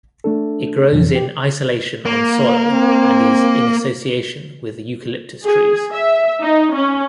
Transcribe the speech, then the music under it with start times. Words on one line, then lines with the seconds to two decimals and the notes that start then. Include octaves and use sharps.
It grows in isolation on soil and is in association with Eucalyptus trees.
0.24 A3 D4 A4
0.92 F2 B2 E3 F3
1.15 G4
2.05 A#3
2.71 C4
5.44 G#4
5.92 E5
6.43 D#4
6.75 C#4